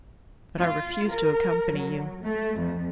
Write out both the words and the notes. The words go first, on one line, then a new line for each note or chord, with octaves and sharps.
But I refuse to accompany you.
F4
A#4
F#3
A3
F2